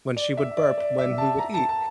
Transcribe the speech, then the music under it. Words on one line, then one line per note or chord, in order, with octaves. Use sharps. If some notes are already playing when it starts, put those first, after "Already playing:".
when she would burp, when we would eat,
D5
E5
D5
D5
E5
A5
A#5
A5
A5